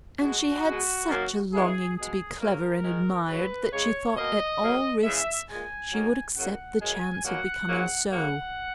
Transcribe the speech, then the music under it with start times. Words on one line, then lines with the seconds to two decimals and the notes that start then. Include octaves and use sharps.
And she had such a longing to be clever and admired that she thought at all risks she would accept the chance of becoming so.
0.21 B2 G#3 F#4
0.65 B2 G#3
1.08 F#2 D#3 F#3 A#3
1.52 C#3 E3 G#3 G#4
1.96 B2 G#3 G#4
2.40 G#2 F#3 A#3 A#4
2.84 G#2 D#3 G#3
3.28 G#2 F#3 A#3 B4
3.72 C#3 G#3 C#5
4.16 B2 A#3 D#5
4.60 G#2 F#3 A#3
5.04 C#3 E3 G#3 E5
5.48 A#2 G#3 G#5
5.92 G#2 D#3 F#3 A#3
6.36 F#2 C#3 F#3 A#3 F#5
6.80 F#2 C#3 G#3 G#5
7.24 B2 F#3 A#3 F#5
7.68 G#2 F#3 A#3
8.11 C#3 F#3 A#3 F#5